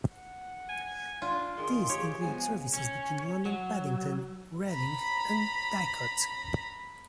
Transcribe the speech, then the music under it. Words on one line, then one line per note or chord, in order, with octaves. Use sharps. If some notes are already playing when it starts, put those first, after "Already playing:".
These include services between London Paddington, Reading and Didcot.
F#5
G#5
D4 F4
D#3 G#4 C6
G4 C#5
F3 G#3 B3 G#5
C#4
F#3
A#5 B5